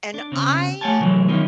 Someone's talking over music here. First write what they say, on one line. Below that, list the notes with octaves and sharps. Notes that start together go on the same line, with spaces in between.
and I,
D4
C#3 C4
A3 C#5 F#5 G#5 A5
C3 E3 F#3 G#3 A3
D#3 F3 F#3 B3 D#4 E4